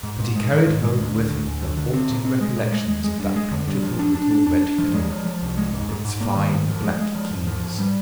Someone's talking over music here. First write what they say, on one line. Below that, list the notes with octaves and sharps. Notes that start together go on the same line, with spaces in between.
But he carried home with him the haunting recollections of that beautiful little red fiddle, with its fine black keys.
G#2
G#2
G#3
D#3
G#2
G#3
D2
D2
D2
D2
D3
D3
C4
A#2
C4
G#3
A#2
G#3
G#3
G#3
G2
G#3
D3
G2
F3
D4
D4
D4
D4
D4
F3
G#3
F3
F3
C2
G#3
G#2
G#2
G#2
A#3
D#3
G#2
F3
G#3
G#3
F3
G#2
F3
G#2
G3